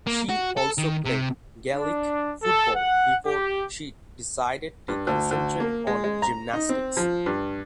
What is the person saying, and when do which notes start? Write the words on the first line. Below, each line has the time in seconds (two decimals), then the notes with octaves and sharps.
She also played Gaelic football before she decided to concentrate on gymnastics.
0.07 A#3
0.29 F#4
0.57 A4
0.78 D#3
1.05 C3
1.73 D4
2.43 A4
2.75 F#5
3.26 G4
4.88 G2
5.07 D2
5.31 D2
5.60 A#3
5.87 G#3
6.04 G#3
6.22 A#5
6.53 D#4
6.69 C4
6.97 F3
7.26 G2